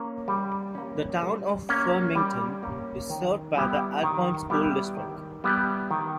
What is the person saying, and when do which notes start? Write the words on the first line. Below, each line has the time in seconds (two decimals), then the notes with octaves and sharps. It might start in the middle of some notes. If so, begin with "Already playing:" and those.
The town of Farmington is served by the Alcorn School District.
Already playing: A#3 C#4
0.28 G3
0.75 A#3 C#4
1.22 G3
1.69 A#3 C#4
2.15 G3
2.63 A#3 C#4
3.10 D#3
3.56 G3 B3 E4 G4
4.03 D#3
4.50 G3 B3 E4 G4
4.97 D#3
5.44 G3 B3 E4 G4
5.91 D#3